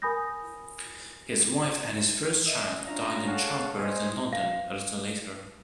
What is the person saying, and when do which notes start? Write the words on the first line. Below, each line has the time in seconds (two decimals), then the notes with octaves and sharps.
His wife and his first child died in childbirth in London a little later.
0.02 A#4 G#5 B5 D#6 G6 A#6
2.46 D#5 E5
2.87 C#4 D4 F4 A#5
3.28 G#4 A4 C#5 F5 F#5
3.79 C5 D#5 G#5
4.33 F5